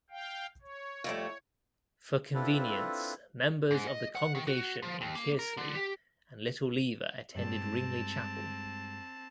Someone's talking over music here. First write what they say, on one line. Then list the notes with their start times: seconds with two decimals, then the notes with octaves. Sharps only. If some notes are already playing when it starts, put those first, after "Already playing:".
For convenience, members of the congregation in Kearsley and Little Lever attended Ringley Chapel.
0.10 F5 G5
0.62 C#5
1.04 F2 G3 A3
2.34 C4 D4 E4 F4 A4 B4
3.71 G#2
3.87 D#5
4.15 F#5
4.35 D#3
4.47 F#4
4.82 F3
5.01 D#2
5.15 A#3
5.39 A#4
5.57 D3
5.75 G4
7.35 G2 G#3 C4 A5